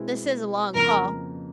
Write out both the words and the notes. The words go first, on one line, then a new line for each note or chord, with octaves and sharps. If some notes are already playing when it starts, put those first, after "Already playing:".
'This is a long call.
Already playing: B2 G#3 C4 E4
F2 C#3 F3 A#3 A#4